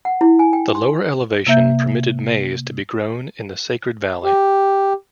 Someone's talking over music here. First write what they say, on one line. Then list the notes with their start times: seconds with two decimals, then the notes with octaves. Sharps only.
The lower elevation permitted maize to be grown in the Sacred Valley.
0.05 F#5
0.21 E4
0.39 G#5
0.53 G5
0.75 C6
1.47 C3 A#3 E5 G6
4.24 G4